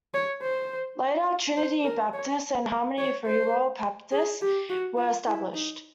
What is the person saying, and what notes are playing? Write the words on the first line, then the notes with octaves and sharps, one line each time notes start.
Later Trinity Baptist and Harmony Freewill Baptist were established.
C#5
C5
C5
A#4
C#5
C#5
C5
G#4
G4
F#4
F4
E4
D#4